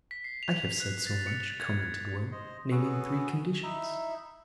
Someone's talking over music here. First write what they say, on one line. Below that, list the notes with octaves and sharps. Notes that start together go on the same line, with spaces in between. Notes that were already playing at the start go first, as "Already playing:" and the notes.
"I have said so much," commented Will, "naming three conditions."
B6
C7
F7
F7
F#6
A6
C#7
G#6
G#6
C5 D#5
B3 C#4 F#4 G#4 A4 B4
D#4 E4 E5